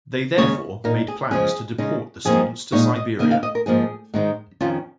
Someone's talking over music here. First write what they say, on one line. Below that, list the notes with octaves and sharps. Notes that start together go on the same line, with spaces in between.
They therefore made plans to deport the students to Siberia.
D#2 C#3 G#3 C#4 C#5
A#2 A#3 D#4 A#4
G#4
C#3 F3 G#3 C#4 G#4
C#3 G#3 D#4
F2 F3 A#3 D#4 G#4
A#2 G#3 D#4 C#5
D#5
C#3 A#3 D#4 D#5
F5
D#5
A#4
G#2 F3 A#3 G#4
G#2 D#3 G#3 D#4
F2 D#3 C#4 F4